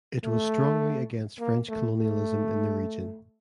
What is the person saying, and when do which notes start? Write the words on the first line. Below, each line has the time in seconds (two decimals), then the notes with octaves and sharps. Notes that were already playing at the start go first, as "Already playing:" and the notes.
It was strongly against French colonialism in the region.
0.24 A3
1.39 A#3
1.69 A3
1.98 A3